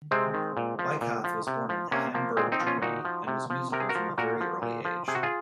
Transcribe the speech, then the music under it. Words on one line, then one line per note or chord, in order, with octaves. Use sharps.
Weikath was born in Hamburg, Germany and was musical from a very early age.
C3 G#3 C4
D#3
A#2
F3
A#2
F3
C3
F3
C3 A#3 C#4
F3 A#3
A#2 G#3 C4
C4 D#4
F3
C#4 F4
A#2 D#4 F#4
F3
C3
F3
C3 A#4
G#4
F#4 A#4
F3
A#2 F#4 A#4
F3
A#2
F3
C3 G#4
F#4
F4 G#4